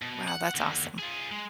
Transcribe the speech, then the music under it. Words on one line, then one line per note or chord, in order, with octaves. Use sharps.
Wow, that's awesome.
B2
F#5
D#2 D3
F4 G#4
G#3